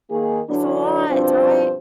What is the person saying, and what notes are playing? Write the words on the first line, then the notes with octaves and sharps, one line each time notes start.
That's a lot, right?
D#3 A#3 G#4
D3 E3 F#3 D4
G2 B2 F3 C4 D4 C5